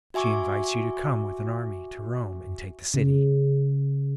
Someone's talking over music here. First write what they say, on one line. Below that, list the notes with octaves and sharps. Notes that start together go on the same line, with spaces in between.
She invites you to come with an army to Rome and take the city.
F#4 E5 G#5 C#6 D6
C#3